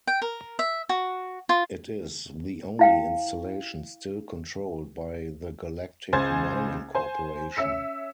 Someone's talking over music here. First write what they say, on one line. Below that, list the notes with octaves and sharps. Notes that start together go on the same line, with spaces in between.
It is the only installation still controlled by the Galactic Mining corporation.
G5
A#4
E5
F#4
F4
E4 F5 G5
C#2 C5 G#5 G#6 A6
C5 G#5
C#4 E5 E6 C#7